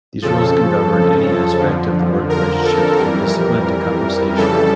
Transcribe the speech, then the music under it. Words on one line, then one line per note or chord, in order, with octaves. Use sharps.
These rules can govern any aspect of the work relationship from discipline to compensation.
F2 C#3 F3 A4
F2 D3 F3
A#4
A4
F2 E3 G3 A#4
F2 C#3 E3 G3 A4